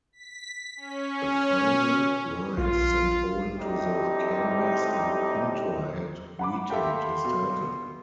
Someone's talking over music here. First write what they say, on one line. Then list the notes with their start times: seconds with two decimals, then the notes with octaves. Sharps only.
A final right sent Owen to the canvas and Pintor had retained his title.
0.13 B6
0.77 C#4
2.58 A#1 F4
3.58 D2 A2 G3 C4 D#4 G4
6.39 F#5 B5 D6
6.70 G4 A4 E5 F5 G5 C6
7.25 B2